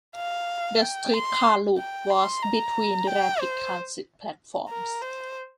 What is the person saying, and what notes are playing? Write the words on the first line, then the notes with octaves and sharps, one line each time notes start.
The streetcar loop was between the rapid transit platforms.
F5
G5
C6
G5
C6
A#5
G5
C5
A#4
C5